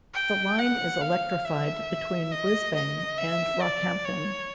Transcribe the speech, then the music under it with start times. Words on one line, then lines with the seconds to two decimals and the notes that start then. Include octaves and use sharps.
The line is electrified between Brisbane and Rockhampton.
0.14 G5
0.59 F#5
1.01 F5
1.45 E5
2.32 D#5
2.75 D#5
3.18 E5
3.61 D5
4.05 C#5